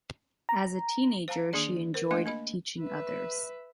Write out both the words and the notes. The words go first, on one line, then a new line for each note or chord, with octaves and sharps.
As a teenager she enjoyed teaching others.
A#5
C5 F5 A5 A#5
D#3 A#3 D4 G#4 D5
A#4 C5
A3 A#3 D4 D#5 F5
A#3 D#5 B5
B4 E5